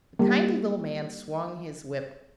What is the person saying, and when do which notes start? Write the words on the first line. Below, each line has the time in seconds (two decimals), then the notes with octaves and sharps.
The kindly little man swung his whip.
0.19 G3 A#3